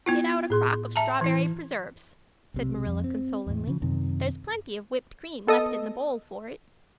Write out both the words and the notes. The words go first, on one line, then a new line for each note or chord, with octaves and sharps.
"Get out a crock of strawberry preserves," said Marilla consolingly. "There's plenty of whipped cream left in the bowl for it."
B3 E4 F4
A2 G#4 C6
E5 A5 A#5
E3 E4
B1 C3
F2
C4
E2 A2
C#3 F3
F#2 C3 D#3
B3 A4 D#5 D#6